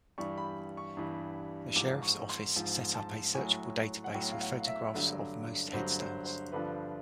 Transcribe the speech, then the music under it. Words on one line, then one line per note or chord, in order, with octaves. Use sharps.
The sheriff's office set up a searchable database with photographs of most headstones.
G2 E3 G3 C#6
B5
C#6
G2 E3 G3
G#2 F3 D6
C#6
C6
G#2 F3
A5
A2 F#3 G#5
F#5
A2 F#3 G5
F5
F#5
F5
E5
G2 D3 F#3
G2 D3 F#3 C5
C5
C5
G2 D3 F3 B4